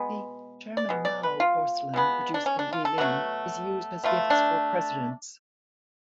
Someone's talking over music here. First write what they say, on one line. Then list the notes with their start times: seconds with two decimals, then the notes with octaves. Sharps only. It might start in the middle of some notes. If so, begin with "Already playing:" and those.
The "Chairman Mao" porcelain produced in Liling is used as gifts for presidents.
Already playing: B2 G#3 B3
0.77 D5
0.89 B2 G#3
1.05 D5
1.23 B4
1.40 F4
1.94 B2 G#3 B3
2.34 D4
2.46 C#4
2.59 D4
2.73 F4
2.85 A4
2.98 B2 F#3 A3 F#4
4.04 B2 A3 F4
4.30 D4